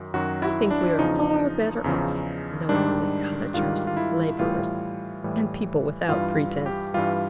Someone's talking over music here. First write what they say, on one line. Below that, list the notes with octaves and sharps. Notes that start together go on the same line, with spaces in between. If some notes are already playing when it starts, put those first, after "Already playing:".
I think we are far better off, knowing only cottagers and labourers, and people without pretence.'
Already playing: F#2 D#3 F#3
F#2 D#3 F#3 F#4
E4
D4
E2 C#3 F3 D#4
E2 C#3 F3
G#2 D#3 G3 D4
G#2 D#3 G3 F4
F4
E4
A2 E3 G3 F4
A2 E3 G3
G2 E3 G3 F4
G4
G2 E3 G3 F4